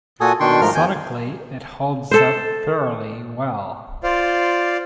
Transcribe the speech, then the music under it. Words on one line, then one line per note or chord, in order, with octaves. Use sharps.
Sonically, it holds up fairly well.
A#2 F#4 A4 G#5 D#6
B2 D#3 D4 G5 C6 C#6
G#2 F3 A3 A#4 F6
E2 G#5 G6
A4 C5
F4 C5 D5 F5